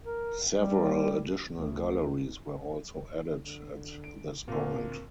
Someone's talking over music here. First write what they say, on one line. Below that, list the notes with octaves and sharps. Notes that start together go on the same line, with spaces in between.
Several additional galleries were also added at this point.
A#4
G3
D2
D3
D7
D2 A#2 A#3 C4 A#4